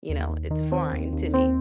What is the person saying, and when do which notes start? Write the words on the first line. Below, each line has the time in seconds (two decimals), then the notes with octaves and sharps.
you know it's foreign to me,
0.09 D#2
0.30 D#2
0.51 D#3
0.72 C4
0.93 D#2
1.13 D#2
1.34 C4